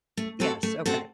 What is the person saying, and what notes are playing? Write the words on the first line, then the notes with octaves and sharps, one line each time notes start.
Yes, okay.
A3
C4 F#4 A4
A3
C4 F#4 A4